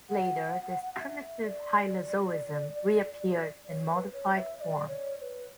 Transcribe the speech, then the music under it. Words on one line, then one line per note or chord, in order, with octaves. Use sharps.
Later this primitive hylozoism reappeared in modified forms.
F#5
E5
D5
C#5
C#5
B4
C#5
E5
E5
D5
C#5
C#5
B4